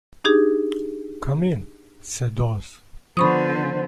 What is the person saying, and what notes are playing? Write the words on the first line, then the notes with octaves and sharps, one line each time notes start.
"Come in," said Oz.
D4 D#4 G4 G#4
D3 F3 B3 C5 B5 C#6 D#6